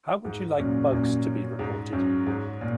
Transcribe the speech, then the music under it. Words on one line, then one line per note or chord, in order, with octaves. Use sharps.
How would you like bugs to be reported?
G#2
F#2 A#2
F#2 A#2
G#2
F#2
G#2
A#2